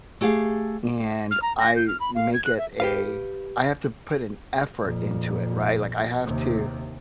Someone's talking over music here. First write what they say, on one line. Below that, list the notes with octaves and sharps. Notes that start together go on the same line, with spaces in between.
And I make it a I have to put an effort into it, right? Like, I have to
A3 G4 G#4 F5
F6
A#5
A#6
G6
F6
B5
F5
G#6
F#6
E5
G4 B4 F5
F2 A#2
D#2 C3